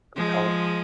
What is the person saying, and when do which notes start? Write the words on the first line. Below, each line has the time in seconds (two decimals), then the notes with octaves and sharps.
it would help.
0.16 F3 G#3